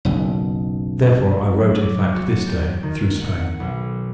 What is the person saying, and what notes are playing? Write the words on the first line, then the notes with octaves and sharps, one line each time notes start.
Therefore, I wrote, in fact, this Day, through Spain.
F#1 B1
F#3
D6
F#4
A6
G5
D#3
F#5
F#5
B1